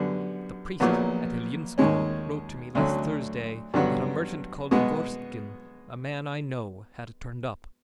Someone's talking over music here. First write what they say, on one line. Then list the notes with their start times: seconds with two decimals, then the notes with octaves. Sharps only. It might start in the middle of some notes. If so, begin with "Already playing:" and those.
The priest at Ilyinskoe wrote to me last Thursday that a merchant called Gorstkin, a man I know, had turned up.
Already playing: F#2 D3 G3 B3
0.80 A#1 A#2 F#3 B3
1.78 D#2 D#3 G#3 C#4
2.75 D2 D3 F#3 A3 C#4
3.74 G2 D3 F#3 B3
4.71 B2 G#3 B3